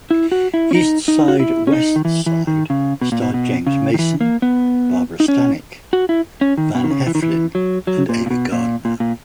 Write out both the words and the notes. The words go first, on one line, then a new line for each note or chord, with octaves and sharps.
"East Side, West Side" starred James Mason, Barbara Stanwyck, Van Heflin, and Ava Gardner.
E4
F#4
E4
C#4
D#4
D#4
F#4
E4
C#4
D#4
D#3
E3
E3
D#3
C#3
B2
A#2
B2
B2
C#3
D#3
E3
A#3
B3
D#4
C#4
F#4
E4
C#4
D#3
B2
D#3
C#3
E3
D#3
E3
F#3
F#3
A#2
A#2
B2
A#2
A#2
A#2